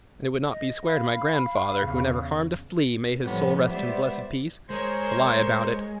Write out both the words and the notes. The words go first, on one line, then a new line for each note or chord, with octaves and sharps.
And it would not be square to my grandfather, —who never harmed a flea, may his soul rest in blessed peace!—to lie about it.
D#5
F5 B5
E2 C#3
A2 C3 F3 G3 B3
G3 G#3 B3 C5 D5 E5
G#3 A#4 C5 C#5 A#5